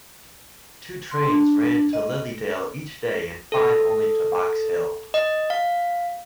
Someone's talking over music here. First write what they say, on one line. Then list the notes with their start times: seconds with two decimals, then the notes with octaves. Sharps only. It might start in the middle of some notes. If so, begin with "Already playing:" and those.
Two trains ran to Lilydale each day and five only to Box Hill.
1.11 C6
1.28 D4
1.93 D#5
3.52 A4
5.14 D#5
5.50 F5